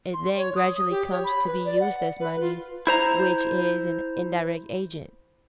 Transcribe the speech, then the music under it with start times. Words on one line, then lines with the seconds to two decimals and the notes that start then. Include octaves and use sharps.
It then gradually comes to be used as money, which is an indirect agent.
0.14 C6
0.37 C#5
0.56 D#6
0.90 G4
1.11 C#5
1.24 B5
1.47 B4
1.65 D5
1.81 F#5
2.20 B4
2.41 F4
2.87 E4 C5 A#5